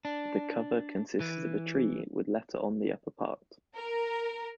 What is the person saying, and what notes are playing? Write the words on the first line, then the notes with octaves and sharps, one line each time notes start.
The cover consists of a tree with letter on the upper part.
D4
E3
A#4